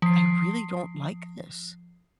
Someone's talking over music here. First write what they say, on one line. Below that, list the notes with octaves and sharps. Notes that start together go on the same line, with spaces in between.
"I really don't like this,
F3 C7